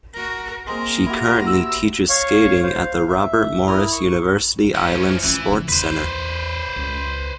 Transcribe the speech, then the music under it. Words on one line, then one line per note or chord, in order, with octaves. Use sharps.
She currently teaches skating at the Robert Morris University Island Sports Center.
F#4 A#4
G#3 A#3 C4 G#4 A#4
E4 F#4 G4
E6
C#5 F5 C#6
C5 F5
E5
E4 A#4 D#6 F6
C#6
F3 C#4
E3 C#4 F4
C#3 F3
E2 B4 C5
C#2